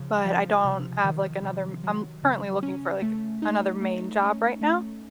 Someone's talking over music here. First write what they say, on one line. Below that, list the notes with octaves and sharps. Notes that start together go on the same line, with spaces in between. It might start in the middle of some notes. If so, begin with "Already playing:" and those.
But I don't have like another m I'm currently looking for like another main job right now.
Already playing: C#3 F3
F3
C3
D#3
C3
F#3
C#3
C#4
A3
D#4
A3
C#4
A3